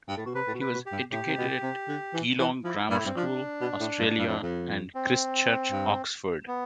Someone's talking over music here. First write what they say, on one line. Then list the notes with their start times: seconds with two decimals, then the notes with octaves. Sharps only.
He was educated at Geelong Grammar School, Australia and Christ Church, Oxford.
0.08 G2
0.17 A2
0.26 B2
0.34 C3 B4
0.47 A2
0.54 B2
0.60 B4
0.74 B2
0.86 G4
0.92 G2
1.12 A2 G4
1.26 C3
1.38 B2
1.62 C3
1.88 D3
2.14 E3
2.39 E3
2.64 F3 E4
2.90 G2 E4
2.98 A2
3.05 G2 C4
3.16 F3 D4
3.61 B2
3.80 A2
3.99 G2
4.18 G2
4.27 F2
4.42 F2
4.95 C4
5.71 G2
6.48 B3